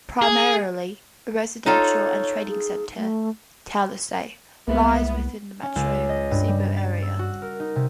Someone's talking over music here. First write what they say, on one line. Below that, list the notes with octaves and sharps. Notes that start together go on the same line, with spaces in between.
Primarily a residential and trading center, Talisay lies within the Metro Cebu area.
G#4
D#4 F4 A4 C#5
G#4
A3
C2 G#3 A#3 B3 E5
C#4
C#2
B6
D#5
G2
G3
A6
E6
F#4
A#4
D#4
C3